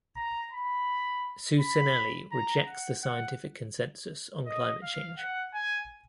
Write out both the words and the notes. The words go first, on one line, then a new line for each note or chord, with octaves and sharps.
Cuccinelli rejects the scientific consensus on climate change.
A#5
B5
B5
A#5
F#5
F#5
D#5
F5
F#5
G#5